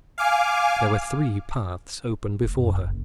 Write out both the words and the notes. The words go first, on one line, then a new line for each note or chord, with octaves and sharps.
There were three paths open before her.
F5 G#5 D6 F6
F1
F#2
G1
F#1